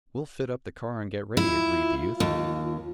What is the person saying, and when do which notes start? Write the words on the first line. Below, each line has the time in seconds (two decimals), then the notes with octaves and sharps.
"We'll fit up the car and get ready," agreed the 'youth.
1.37 E4 F4
2.20 D#2